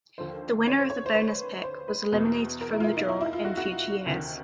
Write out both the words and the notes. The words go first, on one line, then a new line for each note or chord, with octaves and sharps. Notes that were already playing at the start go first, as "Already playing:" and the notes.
The winner of the "bonus pick" was eliminated from the draw in future years.
D#2 D3 F3 C5
C#5
C5
C#5
C5
B4
C5
B4
E2 B2
A#4
E4
F4
E4
D#4
E4
E4
F4
F#4
F#4
D2 C3 D#3